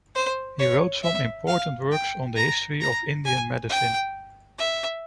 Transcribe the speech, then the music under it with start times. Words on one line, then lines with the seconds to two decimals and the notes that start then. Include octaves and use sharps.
He wrote some important works on the history of Indian medicine.
0.15 C5
0.59 C#5
1.03 E5
1.47 F5
1.92 G5
2.36 A#5
2.81 A#5
3.25 G#5
3.69 G5
4.58 E5